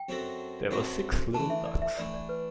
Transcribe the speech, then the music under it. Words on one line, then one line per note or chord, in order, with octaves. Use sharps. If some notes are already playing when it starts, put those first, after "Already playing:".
There were six little ducks.
Already playing: G5
F#2 F#3 C4 F#4 A4
F#2 F#3 C4 F#4 A4
E3 A3 D4 A5
E5
D5
E5
E3 A3 D4 D5
D5
B4